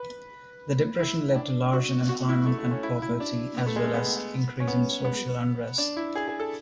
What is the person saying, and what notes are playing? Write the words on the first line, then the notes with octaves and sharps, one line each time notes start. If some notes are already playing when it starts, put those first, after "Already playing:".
The depression lead to large unemployment and poverty, as well as increasing social unrest.
Already playing: B4
E4
D4
F#4
F#4
E4
A3
A3
C#4
E4
E4
D4
B3
A3
G#3
A3
B3
C#4
B3
B3
D4
E4
G#4
G#4
A4